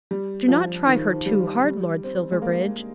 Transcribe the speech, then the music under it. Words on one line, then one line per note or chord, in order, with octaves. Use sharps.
Do not try her too hard, Lord Silverbridge.
G3
F3
D#3
G3
G3
C4
G#3
A#3